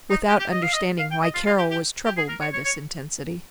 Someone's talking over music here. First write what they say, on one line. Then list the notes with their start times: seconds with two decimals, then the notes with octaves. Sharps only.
Without understanding why Carol was troubled by this intensity.
0.10 D#4
0.28 G4
0.39 G4
0.52 D#5
0.63 F5
0.73 D#5
0.99 F5
1.11 G5
1.22 D#5
1.34 F4
1.46 F4
1.58 G4
1.70 G4
2.05 G4
2.17 G#4
2.29 A#4
2.41 C#5
2.53 C#5
2.65 C#5